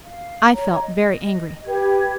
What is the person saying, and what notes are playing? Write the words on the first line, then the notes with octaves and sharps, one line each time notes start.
I felt very angry.
F5
C#5 A#5
D#5
G4 B4 G#6